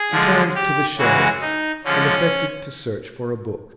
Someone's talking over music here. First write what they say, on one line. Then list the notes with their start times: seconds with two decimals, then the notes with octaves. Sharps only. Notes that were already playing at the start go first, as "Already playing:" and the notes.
She turned to the shelves, and affected to search for a book.
Already playing: G#4
0.11 D3 F3 G#3
0.55 G4
0.98 C#3 E3 G#3 F#4
1.42 D#4
1.84 D3 F3 G#3 C#4